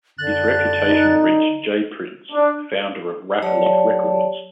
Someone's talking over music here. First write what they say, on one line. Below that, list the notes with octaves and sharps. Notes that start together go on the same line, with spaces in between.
His reputation reached J Prince, founder of Rap-A-Lot Records.
F#2 D3 F#6 A6
D#4
D4
F#3 G4 C#5 D5 A5